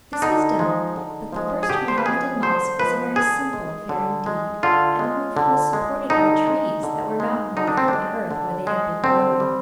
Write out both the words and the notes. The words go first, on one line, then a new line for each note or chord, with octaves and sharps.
This was done, but the first Mohammedan mosque was a very simple affair indeed and the roof was supported by trees that were not removed from the earth where they had been growing.
D4
D3 D#4
F3 G#3
D3
F3 G#3
G#4
D3 G4
C5
B4
F3 G#3 G#4
D3 C5
F3 G#3 B4
D3 G#4
G#3
D3
G#3
D3 F4
G#3
D3
G#3
D3 D#4
G#3
D3
G#3
D3 D#4
D4
C4
G#3 D4
D3
G#3
D3 C4
G3